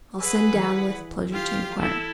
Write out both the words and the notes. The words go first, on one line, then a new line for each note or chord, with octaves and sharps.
I'll send down with pleasure to enquire.'
G#4 B4 F#5 G#5 E6 D#7
E3
F4 G4 F5
E4 A4 E6 F6 G6